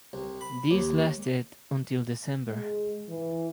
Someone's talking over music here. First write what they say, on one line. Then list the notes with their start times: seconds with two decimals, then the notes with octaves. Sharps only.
These lasted until December.
0.13 C2
0.41 B5
0.71 D#2
2.48 G#3
3.09 E3